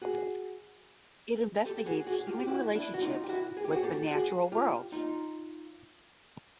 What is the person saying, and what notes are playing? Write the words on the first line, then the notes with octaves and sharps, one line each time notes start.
It investigates human relationships with the natural world.
F#4 G#4
G4 A4
F#4 G#4
F#4 G#4
F4 G4
G4
E4 F#4
D4 E4
F#4
D#4 F4
G4
E4 F#4
G#4
G4
F#4 G#4
G4 A4
F#4 G#4
F4 G4
D#4 F4